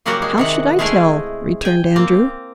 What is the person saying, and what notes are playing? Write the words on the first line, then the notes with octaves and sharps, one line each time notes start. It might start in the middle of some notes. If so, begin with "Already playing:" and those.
"How should I tell?" returned Andrew.
C#3 F#3 G3 A#3 F#4 A#4
G#3
C3 D#3 F#5
G#3 A3 E4 G#4 F5
G5 G#5
A#3 C4